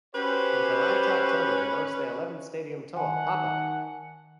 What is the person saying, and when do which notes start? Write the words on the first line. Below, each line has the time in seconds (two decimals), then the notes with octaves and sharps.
From July to October, they launched their eleventh stadium tour, Pop Up!
0.15 C#4 F#4 G4 B4 C5
2.97 D#3 F#5 G#5 A5